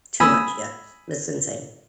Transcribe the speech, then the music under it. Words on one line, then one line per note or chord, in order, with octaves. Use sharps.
Too much, yeah, that's insane.
G#5 B5 D#6 E6